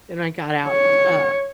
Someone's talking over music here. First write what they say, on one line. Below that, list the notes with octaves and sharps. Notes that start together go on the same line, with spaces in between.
Then I got out, uh,
C#5